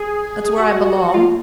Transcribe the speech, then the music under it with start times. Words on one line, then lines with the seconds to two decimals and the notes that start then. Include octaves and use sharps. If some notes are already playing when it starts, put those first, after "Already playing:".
That's where I belong!
Already playing: G#4
0.58 F#4
1.14 F4